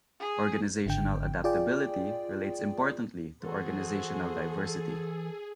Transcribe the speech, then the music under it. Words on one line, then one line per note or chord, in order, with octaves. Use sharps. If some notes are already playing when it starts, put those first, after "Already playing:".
Organizational adaptability relates importantly to organizational diversity.
G#4
G#1 D3 G5
F4 G#4 D5 G5
E3 F#4 G#4 A4 C5